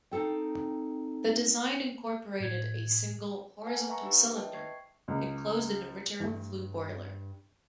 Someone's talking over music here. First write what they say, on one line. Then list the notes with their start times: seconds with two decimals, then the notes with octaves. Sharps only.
The design incorporated a single horizontal cylinder enclosed in a return-flue boiler.
0.11 C4 D#4 A4 G5
2.40 A2 G#6
3.66 A#4 B4 F5 F#5 G#5 A5
3.89 E5 F#5 A#5 C#6
4.03 D4 G4 B4
4.34 B4 C5 D#5 E5 G5 A5
4.53 C#6 G#6 C7
5.08 C#2
6.20 G2 E3 A3